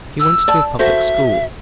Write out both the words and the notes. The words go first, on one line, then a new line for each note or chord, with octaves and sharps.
He went to a public school.
E6
D5 A5
F#4 A4 C5 E5